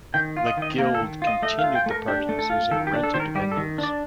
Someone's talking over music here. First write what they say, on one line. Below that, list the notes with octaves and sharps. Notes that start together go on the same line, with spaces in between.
The Guild continued the parties using rented venues.
D#3 G5
F4
D#5
D#3 D#5
A#3 A#4
A4
D#3
F4
D#5
A3 D#5
F5
F4
G5
A3 A#4
D4 G4
A3
A4
F4
D#3 A4
G4
D4
A4
D#3 C5
A#4
G3 G4
A4
D#3
D4
D5